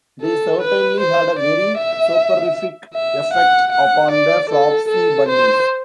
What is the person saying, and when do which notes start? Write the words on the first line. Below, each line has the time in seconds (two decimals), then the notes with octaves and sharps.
They certainly had a very soporific effect upon the Flopsy Bunnies!
0.22 A4
0.61 B4
1.00 C5
1.39 D5
1.78 E5
2.95 E5
3.33 F#5
3.72 F#5
4.11 D5
4.50 A4
4.89 A4
5.29 C5